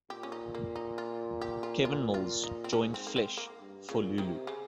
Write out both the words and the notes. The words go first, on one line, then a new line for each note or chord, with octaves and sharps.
Kevin Mills joined Flesh for Lulu.
A#2 G4
C#4
D#4
A#3
D#4
F4
G4
F4
F4
F4
D#4
C4
G#2 C#4
C4
A#3
C4
A#3
G2
A#2 C#3
C3 D#3
C#3